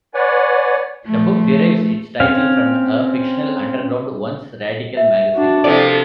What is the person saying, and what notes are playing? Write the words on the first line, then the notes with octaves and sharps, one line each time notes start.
The book derives its title from a fictional "underground" once-radical magazine.
B4 C#5 D5 F#5 G#5
F3 A3
C4 C#4 F5
E5
D4 F#4
C3 F3 E4 A4 D5